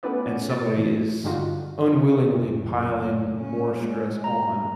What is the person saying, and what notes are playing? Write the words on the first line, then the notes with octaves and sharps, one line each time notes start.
and somebody is unwillingly piling more stress on,
A3 B3 C#4 E4 B4 D5
B3 C#4
A6
E3
G2 D3 G3 D#4 F4 F#4
F#1
C#4
G#3
A#5